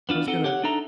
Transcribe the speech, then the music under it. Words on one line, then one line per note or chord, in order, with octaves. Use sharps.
I was gonna
B3 D4 F4
C4 D#4 A4 F#5
G4 C#5 F#5
D4 D#4 A4 E5 A#5